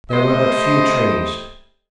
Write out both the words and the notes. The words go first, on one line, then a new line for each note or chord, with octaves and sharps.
There were but few trees.
G3 A3 C5 D#5